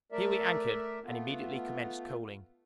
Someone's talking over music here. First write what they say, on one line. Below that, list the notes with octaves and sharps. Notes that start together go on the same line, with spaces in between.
Here we anchored, and immediately commenced coaling.
A3 A#4 D5 E5
A3 B3 F4